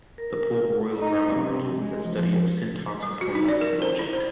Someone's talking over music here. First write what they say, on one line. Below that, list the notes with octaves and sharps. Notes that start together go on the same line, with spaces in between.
The Port-Royal grammar modeled the study of syntax upon that of logic.
A#4
D#4
C3
G#3
F3
G3
F#4
D#4
D5
A#4
C5
E4
C5